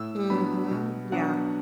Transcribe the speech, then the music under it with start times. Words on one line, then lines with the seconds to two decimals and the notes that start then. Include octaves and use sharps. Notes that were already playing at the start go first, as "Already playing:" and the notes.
Mhm, yeah.
Already playing: A2 E6
0.30 F#3 B3 D4 B5
0.71 B2
1.12 F#3 B3 D4 F#5